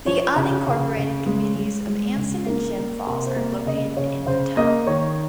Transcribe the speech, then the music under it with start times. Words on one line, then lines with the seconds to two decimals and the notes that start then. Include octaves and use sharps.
The unincorporated communities of Anson and Jim Falls are located in the town.
0.06 F3 C#5
0.36 C#3
0.67 C#3
0.97 C#3
1.26 G#3
1.56 G#3
1.87 G#3
2.16 C#3
2.46 A#3 A#4
2.77 A#3
3.07 C3 A#4
3.26 C5
3.36 A#3
3.66 C#3 D#5
3.97 C#3 C#5
4.26 C#3 C5
4.57 A#3 D#5
4.87 D#3 C#5